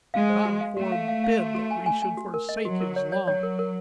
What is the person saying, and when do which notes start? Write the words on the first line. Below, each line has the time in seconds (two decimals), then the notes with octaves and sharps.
God forbid that we should forsake His Law.'
0.14 G#3 F5
0.30 C5
0.45 F#4
0.61 F5
0.77 A3 F#4
0.92 F5
1.08 F5
1.24 F5
1.40 F#4
1.55 F#4
1.71 G#5
1.86 G#5
2.02 G#5
2.17 F#4
2.34 A#4
2.49 D#5
2.65 F#3 F#4
2.80 A#4
2.96 C#5
3.12 C#5
3.27 F#3 C#5
3.43 A#4
3.59 A#4